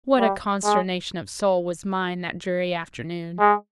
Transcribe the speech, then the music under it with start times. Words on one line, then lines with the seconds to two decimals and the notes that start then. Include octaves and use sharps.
What a consternation of soul was mine that dreary afternoon!
0.18 G3
0.64 G#3
3.40 G#3